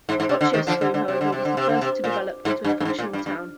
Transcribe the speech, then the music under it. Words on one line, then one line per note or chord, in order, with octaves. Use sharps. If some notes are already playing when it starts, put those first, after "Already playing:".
Potchefstroom however was the first to develop into a functional town.
G#2
G#2
C3
D3
C3 D#3
D3 F3
D3
D3
C3
D3
C3
D3
C3
D3
C3
A#2
G#2
G2
G2
G#2
A#2
G2
G2